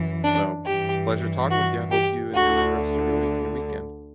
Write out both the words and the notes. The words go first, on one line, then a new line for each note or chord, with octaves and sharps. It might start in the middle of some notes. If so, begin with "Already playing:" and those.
So, pleasure talking with you; I hope you enjoy the rest of your week and your weekend.
Already playing: F#2 E3
D4
G2 E3 G4
F#4
G4
D2 D3 F#4